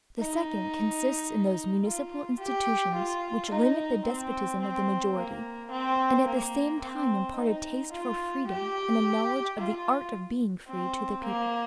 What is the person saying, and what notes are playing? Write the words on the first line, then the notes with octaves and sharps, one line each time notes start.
The second consists in those municipal institutions which limit the despotism of the majority, and at the same time impart a taste for freedom and a knowledge of the art of being free to the people.
D#4
F4
G4
F4
D#4
C4
C4
A#3
C4
A#3
C4
D#4
F4
G4
F4
C4
A#3